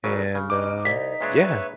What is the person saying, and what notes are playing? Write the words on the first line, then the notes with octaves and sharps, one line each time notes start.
and, uh, yeah,
G#1 C#3 F#3
C#3
D#4 D6
C2 B6
A#2 G#3 D4 B4 C#5 E5